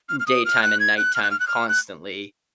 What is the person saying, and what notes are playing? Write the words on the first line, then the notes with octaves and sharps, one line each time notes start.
m daytime and nighttime constantly,
F6
F6
D#6
F6
F#6
G#6
F#6
F6
F#6
F6
F#6
F6
F#6